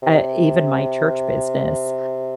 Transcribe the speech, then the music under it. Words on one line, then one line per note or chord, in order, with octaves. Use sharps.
uh, even my church business.
C3